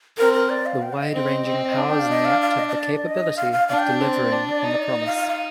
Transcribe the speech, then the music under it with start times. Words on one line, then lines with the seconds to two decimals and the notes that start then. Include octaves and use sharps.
The wide-ranging powers in the Act have the capability of delivering on the promise.
0.18 C4 A#4
0.34 A#4
0.50 D5
0.66 F5
0.82 G5
0.93 F5
1.03 D#5
1.14 C4
1.46 C4
1.77 D4
1.88 G5
1.99 F5
2.09 D#5
2.25 F5
2.41 F5
2.57 D#5
2.68 D#5
2.73 D5
3.05 D#5
3.37 F5
3.52 F5
3.68 D4 F5
3.79 G5
4.00 C4 D5
4.32 D4
4.64 D#4
4.96 D#5
5.06 F5
5.18 F5
5.28 F5